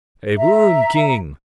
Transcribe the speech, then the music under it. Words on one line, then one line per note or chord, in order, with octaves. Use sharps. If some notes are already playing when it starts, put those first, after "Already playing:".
"A boon, King!"
E5 A#5